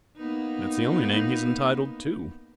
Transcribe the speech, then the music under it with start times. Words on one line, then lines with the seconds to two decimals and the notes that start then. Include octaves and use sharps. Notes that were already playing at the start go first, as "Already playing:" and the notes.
It's the only name he is entitled to.
0.16 A#3 B3 D#4